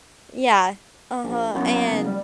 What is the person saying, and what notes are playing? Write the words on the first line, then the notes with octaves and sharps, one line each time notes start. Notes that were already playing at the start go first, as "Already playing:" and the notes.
Yeah. Uh-huh, and,
A#1
F#2 A#3 B3 E4
F#1
G3